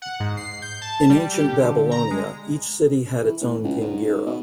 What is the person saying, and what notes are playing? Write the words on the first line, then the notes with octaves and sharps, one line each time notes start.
In ancient Babylonia, each city had its own Gingira.
F#5
G#2
C7
G6
A5
G3
G4
D3
A#5
G#3
E3
A2
C#2
G#2
B2